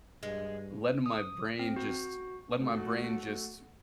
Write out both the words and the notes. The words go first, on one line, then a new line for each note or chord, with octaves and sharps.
Letting my brain just letting my brain just
G2 G#3
D#6
C4
F#4
A3 F#4